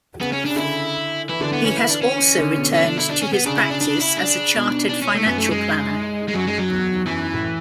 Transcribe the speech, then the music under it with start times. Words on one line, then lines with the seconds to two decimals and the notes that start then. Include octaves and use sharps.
He has also returned to his practice as a chartered financial planner.
0.20 C#3 B3
0.32 C#4
0.45 C#3 D4
0.56 D3 E4
1.29 E3 E4
1.41 D3 D4
1.52 E3 B3
1.65 C#4
1.77 E4
1.89 D4
2.02 C#4
2.38 D3
2.55 B2
2.74 C#4
2.86 D4
2.97 E4
3.09 D4
3.22 C#4
3.33 B3
3.46 C#3 D4
3.58 E4
3.70 D4
3.81 D4
4.00 E4
4.18 D4
4.54 B2
4.89 D4
5.02 C#4
5.14 A3
5.25 F#2 B3
5.38 A3
5.51 G#3
6.28 G#3
6.34 F#2 F#3
6.47 G#3
6.59 F#3
6.70 E2
7.07 F#2 E3
7.34 A2